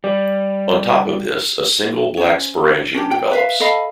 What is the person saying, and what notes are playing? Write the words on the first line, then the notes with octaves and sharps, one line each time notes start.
On top of this, a single, black sporangium develops.
G3 D5
C#4 C5
C#4 D4 G4
G5
B4 E5 F5
A4 D#5 F5 B5